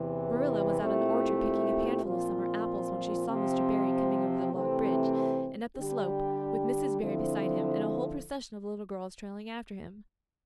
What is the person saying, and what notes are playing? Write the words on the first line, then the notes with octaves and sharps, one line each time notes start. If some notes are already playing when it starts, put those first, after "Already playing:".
Marilla was out in the orchard picking a panful of summer apples when she saw Mr. Barry coming over the log bridge and up the slope, with Mrs. Barry beside him and a whole procession of little girls trailing after him.
Already playing: E2 C3 E3
A#2 A3 C4 E4 G4
A#2 F3 C4 F4
C3 F3 C4
C3 E3 A3 C4
D3 G3 D4 G4
D3 F3 C4 E4 A4